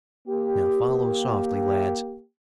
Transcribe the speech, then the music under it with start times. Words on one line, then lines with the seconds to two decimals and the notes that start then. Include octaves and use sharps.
Now follow softly, lads!
0.28 A#3 G4